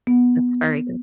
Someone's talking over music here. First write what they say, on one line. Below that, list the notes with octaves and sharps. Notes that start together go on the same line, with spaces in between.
That's very good.
B3